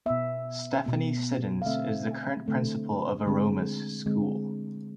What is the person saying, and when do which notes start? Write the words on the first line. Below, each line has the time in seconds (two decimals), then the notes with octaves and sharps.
Stephanie Siddens is the current principal of Aromas School.
0.06 B2 B3 E5
0.86 B2 B3
1.62 F5
1.66 D3 A3 C4 E5
2.46 D3 A3 C4
3.26 D3 G#3 C4
4.06 D3 G#3 C4